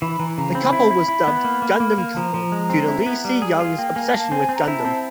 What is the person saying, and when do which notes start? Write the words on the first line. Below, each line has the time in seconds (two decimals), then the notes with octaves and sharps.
The couple was dubbed "Gundam Couple" due to Lee Si-young's obsession with Gundam.
0.02 E3 B5
0.19 E3 A#5
0.37 C#3 A#5
0.55 C4 B5
0.73 E4
0.91 E4
1.08 E4
1.27 B3
1.44 A#3
1.62 A#3
1.80 A#3
1.98 A#3
2.17 F3 A#5
2.34 F3
2.52 G#3
2.70 C4
2.88 E4
3.06 B3
3.25 G3
3.42 G#4
3.60 F4
3.78 A#3 G5
3.96 A#3 G#5
4.14 A#3 A5
4.32 C4 G#5
4.49 C4
4.56 A#5
4.68 E4
4.79 A5
4.85 C4